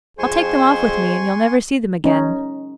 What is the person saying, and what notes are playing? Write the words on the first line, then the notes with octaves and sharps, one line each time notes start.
I'll take them off with me and you'll never see them again.'
F2 G#4 C5 G#5 C6 C#6
C#4 D#4